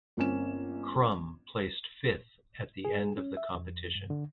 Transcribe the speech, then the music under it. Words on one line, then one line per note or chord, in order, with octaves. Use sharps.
Krumm placed fifth at the end of the competition.
G1 A#3 C4 C#4 E7
G#4
C#4
E5
F2
G2
D3